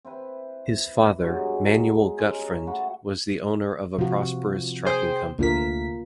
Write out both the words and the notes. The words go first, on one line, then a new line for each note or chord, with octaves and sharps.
His father, Manuel Gutfreund, was the owner of a prosperous trucking company.
C4 E4 B4
G2 B2 F#3 G#3
G#4 A#5
G#3 C#4 G4 A#4
A3 F#4 F#5 B5
C3 F3 F#4
G#4 C5 G5
D2 A#3 F4 A#4 B6